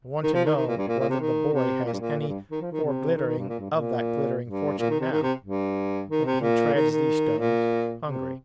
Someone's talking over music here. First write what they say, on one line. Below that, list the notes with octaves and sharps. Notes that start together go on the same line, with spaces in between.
I want to know whether the boy has any foreglittering of that glittering fortune now, when he treads these stones, hungry.
D#3
F3
D#3
D#3
A#2
G2
A#2
A#2
C3
D#3
C3
A#2
G2
A#2
A#2
G2
D#3
F3
D#3
C3
D#3
D#3
G2
A#2
G2
A#2
G2
A#2
D#3
C3
D#3
C3
G2
D#3
C3
A#2
D#3
D#3
A#2
C3